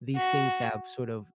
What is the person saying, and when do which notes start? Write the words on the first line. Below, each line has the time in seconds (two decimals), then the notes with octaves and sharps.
These things have sort of,
0.16 F#4